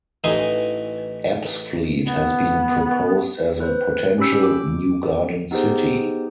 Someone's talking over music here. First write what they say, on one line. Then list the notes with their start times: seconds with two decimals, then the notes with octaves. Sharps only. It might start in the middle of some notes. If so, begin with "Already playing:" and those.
Ebbsfleet has been proposed as a potential new garden city.
0.24 A1 E3 D#4 G#5 C6
2.05 B3
3.60 B4 C5
4.18 C#4 G4 B5 E6 G6
4.44 D6
5.51 B3 D#4 G4 G#4 C5